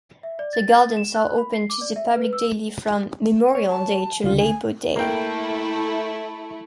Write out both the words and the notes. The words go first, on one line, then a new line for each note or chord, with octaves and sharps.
The Gardens are open to the public daily from Memorial Day to Labor Day.
E5
D5
A6
E7
F#6
B5
C7
D6
D5
E5
B4
E6
C#5
A5
C#2 D3 F4
G#5
A3 A#3 E4 G5